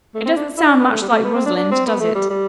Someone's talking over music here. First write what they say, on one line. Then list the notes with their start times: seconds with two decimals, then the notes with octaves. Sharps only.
It doesn't sound much like Rosalind, does it?
0.14 A3
0.25 C4
0.36 D4
0.57 E4
0.69 D4
0.79 B3
0.91 A3
1.02 G3
1.08 B3
1.13 A3
1.24 B3
1.35 C4
1.46 D4
1.57 D4
1.71 C4
1.87 B3
2.00 A3
2.15 G3
2.30 G3